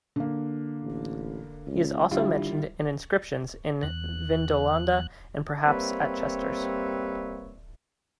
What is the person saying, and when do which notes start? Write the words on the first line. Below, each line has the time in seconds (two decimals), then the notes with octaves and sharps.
He is also mentioned in inscriptions in Vindolanda and perhaps at Chesters.
0.16 D3 A#3
0.83 A1
1.67 C#2
2.11 D3 G3 E4 F4
3.83 E2 F#6
5.66 G3 A#3 C4 B4 C#5 E5